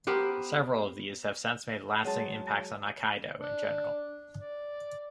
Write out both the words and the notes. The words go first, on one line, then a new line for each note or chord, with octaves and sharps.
Several of these have since made lasting impacts on aikido in general.
B3 G4 A#4 C5
F#3 G#3 A5
D4
D5